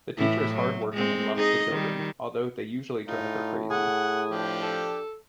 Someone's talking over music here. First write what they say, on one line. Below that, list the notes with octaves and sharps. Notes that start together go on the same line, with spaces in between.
The teacher is hard-working and loves the children, although they usually drive her crazy.
A2 E3 E4
F#3
G#3 C4
D#4 G#4 D#5
D#3 G3
A2 D#4 F4
G#4 F#5
F3 D4 G4
A4